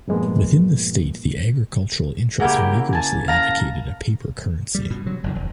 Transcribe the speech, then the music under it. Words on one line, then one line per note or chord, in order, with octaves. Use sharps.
Within the state the agricultural interests vigorously advocated a paper currency.
G2 A#2 F3 G#3 A#3 B3
C#3 A#3 E4 F#4 G4
G#5 A5
F5 A5 A#5
G3
G2 B2
C3 F#3
F#1 E2 D3
E1